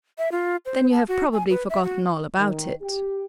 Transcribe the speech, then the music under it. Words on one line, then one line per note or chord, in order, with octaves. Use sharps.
"Then you have probably forgotten all about it."
E5
F4
C5
A5
F#4
G#5
B4
E5
F#4
D#3
G4